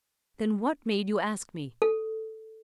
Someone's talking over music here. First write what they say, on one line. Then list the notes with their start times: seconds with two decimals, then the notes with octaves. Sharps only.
Then what made you ask me?
1.82 A4